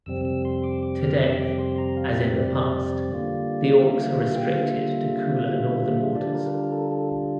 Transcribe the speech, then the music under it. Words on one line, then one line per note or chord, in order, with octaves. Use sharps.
Today, as in the past, the auks are restricted to cooler northern waters.
F2 C3 G3 C4 E6
E6
C6
D6
D6
F6
E6
D6
C6
A#5
F5
E5
D5
D5
D3 G3 A#3 F4
E5
F5
E5
F5
G5
F5
E5
D3 G3 D4 F4 D5
A#4
A#4
A4
A4